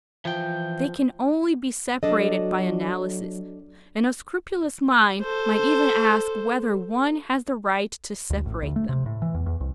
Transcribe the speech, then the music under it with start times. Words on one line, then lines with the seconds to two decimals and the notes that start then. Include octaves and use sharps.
They can only be separated by analysis, and a scrupulous mind might even ask whether one has the right to separate them.
0.25 E3 F3 G5
2.03 F#3 D4 A4 D#5
5.22 A4 C5
8.30 D2
8.46 A1
8.62 D2
8.76 A3
8.89 C3
9.06 A2
9.22 E3
9.34 E2
9.46 E2
9.61 C2